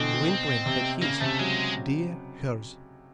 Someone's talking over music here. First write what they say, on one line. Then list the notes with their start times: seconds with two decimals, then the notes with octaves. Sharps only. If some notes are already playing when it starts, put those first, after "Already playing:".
Gwynplaine had his, Dea hers.
Already playing: B2 D3 E3 C4
0.66 C3
1.02 C#3 A#3
1.21 C3 A3
1.39 F#3 G#3